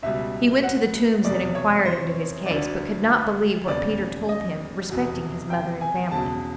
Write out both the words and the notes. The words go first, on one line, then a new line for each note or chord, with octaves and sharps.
He went to the Tombs and inquired into his case, but could not believe what Peter told him respecting his mother and family.
C#2 B2 G3 E5
F#5
F1 E2 B2 D5
C#5
C5
D2 D3 F#3 D5
E1 D#2 C#3 D5
D#5
F1 E2 B2 F#3
G5
G#5
E1 E2 C#3 F#3 A5